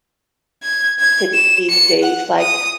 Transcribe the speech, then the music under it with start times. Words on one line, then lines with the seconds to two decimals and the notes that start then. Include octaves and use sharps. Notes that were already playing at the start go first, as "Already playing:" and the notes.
to d these days? Like,
0.63 G#6
1.00 G#6
1.34 E7
1.70 C#7
2.03 F#5
2.39 D#6